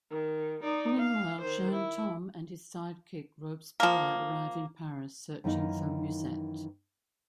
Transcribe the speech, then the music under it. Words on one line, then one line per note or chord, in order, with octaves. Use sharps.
Meanwhile, Jaune Tom and his sidekick Robespierre arrive in Paris, searching for Mewsette.
D#3
D#4 D5
F5
D#3 C5
E4
F3 A#3
F#2 D#3 E3 A#3 D#4